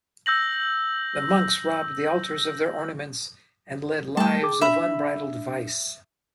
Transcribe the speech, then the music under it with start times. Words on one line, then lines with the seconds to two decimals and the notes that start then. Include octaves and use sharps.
The monks robbed the altars of their ornaments, and led lives of unbridled vice.
0.26 E6 G6 A#6 F#7
4.17 G3 A3 G5 A5
4.43 G#4 D6
4.61 D4 E5 B5